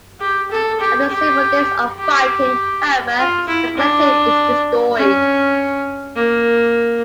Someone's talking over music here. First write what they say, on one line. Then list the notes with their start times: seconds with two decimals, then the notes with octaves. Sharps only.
After several days of fighting, however, the Collective is destroyed.
0.20 G4
0.51 A4
0.80 G4
1.10 G4
1.99 G4
3.18 F4
3.47 E4
3.77 D4
4.97 C#4
6.16 A#3